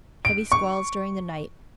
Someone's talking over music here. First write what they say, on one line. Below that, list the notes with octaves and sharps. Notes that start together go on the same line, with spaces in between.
Heavy squalls during the night.
D7
C#6